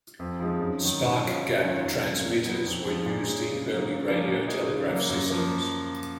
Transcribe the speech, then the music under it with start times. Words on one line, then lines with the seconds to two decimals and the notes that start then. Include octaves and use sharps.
Spark-gap transmitters were used in early radio telegraph systems.
0.19 F2
0.40 F3 G#3 D#4
0.60 F#2
0.81 D#3 F#3
1.01 G#2
1.21 F#3 C#4 F4
1.42 F#2
1.63 D#3 F#3 C#4 F4
1.83 F2
2.04 C#3 F#3
2.24 B2
2.45 F#3 B3 D#4
2.65 F2
2.85 F3 G#3
3.06 A#2
3.26 G#3 C#4
3.46 C#3
3.67 F#3 A#3 D#4
3.87 C#3
4.08 F3 A#3 C#4
4.28 A#2
4.48 G#3 D#4
4.68 C#3
4.90 F#3 A#3
5.10 F#2
5.30 F3 A#3